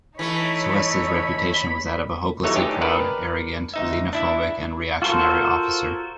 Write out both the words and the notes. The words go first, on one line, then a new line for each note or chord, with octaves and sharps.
Cuesta's reputation was that of a hopelessly proud, arrogant, xenophobic, and reactionary officer.
E3 A3 D#4 C#5 B5
C3 E3 F#3 A3 D#4 C#5
D4 D#4 G4 G#4
A#4 B4 D5 A5
D2 D#4 E5
D4 E4 E5
F4 F#4 A4 A#4 C5